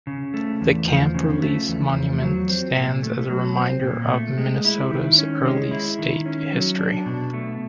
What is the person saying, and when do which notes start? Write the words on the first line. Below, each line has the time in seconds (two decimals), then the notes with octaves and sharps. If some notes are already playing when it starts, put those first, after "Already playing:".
The Camp Release Monument stands as a reminder of Minnesota's early state history.
0.07 C#3
0.34 A3
0.61 E2
0.88 F3
1.14 C#3
1.42 A3
1.68 E2
1.95 F3
2.22 F#3
2.49 C4
2.77 A#2
3.03 A3
3.30 F#3
3.57 C4
3.83 A#2
4.10 A3
4.38 G#3
4.65 E4
4.91 D#3
5.18 C#4
5.45 G#3
5.71 E4
5.99 D#3
6.26 C#4
6.52 F#3
6.79 D4
7.06 B2
7.34 A3